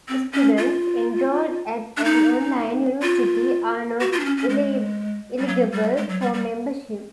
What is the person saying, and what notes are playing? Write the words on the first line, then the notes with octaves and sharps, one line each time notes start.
Students enrolled at an online university are not eligible for membership.
C4
C#4
F4
D4
D#4
F4
F#4
F4
D4
C#4
C#4
G#3
G3
F#3
G3
G#3
F#3
G3
G3